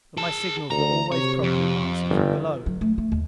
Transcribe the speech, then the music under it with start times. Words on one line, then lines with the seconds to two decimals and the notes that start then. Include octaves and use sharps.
But my signals were always promptly answered from below.
0.17 G#4 A5
0.71 D2 A#5
1.12 C3 C#5
1.42 F2
2.09 G1
2.66 F#3
2.81 A3
2.98 A3
3.12 D#2